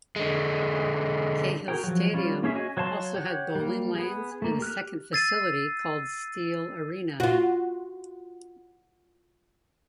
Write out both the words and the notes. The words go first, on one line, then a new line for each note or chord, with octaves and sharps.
Cahill Stadium also had bowling lanes and a second facility called Steele Arena.
D3 G#3
F#4 G#4 A#4 G5
F3 F#3
G3 C#4 F4
A#3 C#4 G#4 C#5 E5
F#4 C#5 D#5 G#5
F#3 C#5 F5 A5 C6
G4 C#5 F#5
G3 A#3
B3 G#4
A3 A#3
G4 F6 F#6
E6 G#6 A6 C7 D#7
F4 F#4